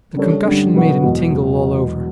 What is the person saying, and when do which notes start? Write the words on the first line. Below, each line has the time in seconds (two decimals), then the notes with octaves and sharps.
The concussion made him tingle all over.
0.15 C#3 G3 D4 A4 C#5
0.45 G2 D3 G3 C#4
0.74 B2 F#3 B3 F#4
1.03 E1 E2 B2